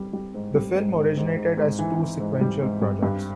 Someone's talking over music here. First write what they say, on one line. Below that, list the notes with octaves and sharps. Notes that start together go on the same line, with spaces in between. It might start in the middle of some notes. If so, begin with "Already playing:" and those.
The film originated as two sequential projects.
Already playing: G3
G3
G#2
G3
G#2
G#2
G#2
G#2
G#2
E3
E3
G#2
G3
G#2
G3
G2